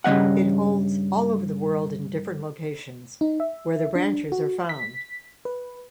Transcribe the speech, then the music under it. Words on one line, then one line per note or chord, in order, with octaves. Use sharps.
It holds all over the world in different locations where the branches are found.
G2 C#3 G#3 D#5 F#5
D#4
E5
D4
F#4
B6
B4